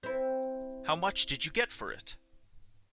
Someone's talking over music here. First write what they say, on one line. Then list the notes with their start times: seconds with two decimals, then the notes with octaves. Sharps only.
How much did you get for it?
0.03 C4 E4